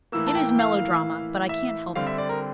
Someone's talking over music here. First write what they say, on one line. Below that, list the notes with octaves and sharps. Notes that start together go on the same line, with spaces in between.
It is melodrama; but I can't help it.
A2 E3 A#3 E6
A5
G5
G5
F5
E5
D3 G3 C4 F5
E5
D5
A#4